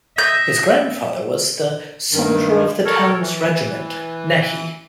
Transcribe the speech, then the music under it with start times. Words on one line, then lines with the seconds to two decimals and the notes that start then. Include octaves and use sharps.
His grandfather was the "soldier of the town's regiment" Nehy.
0.18 D#5 E5 G6
2.12 G2 D#3
2.85 A4 A#4 C#5
3.19 E3